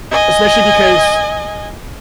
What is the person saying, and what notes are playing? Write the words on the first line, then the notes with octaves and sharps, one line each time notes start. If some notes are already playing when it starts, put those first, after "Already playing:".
especially because,
D#5 G#5